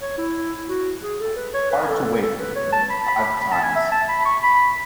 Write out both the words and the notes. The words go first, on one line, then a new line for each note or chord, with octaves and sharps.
I am hard to wake, odd times.
C#5
E4
F#4
G#4
A4
B4
C#5
B4
A4
A4
A4
B4
C#5
A5
B5
B5
B5
B5
A5
G#5
E5
A5
B5
C#6
B5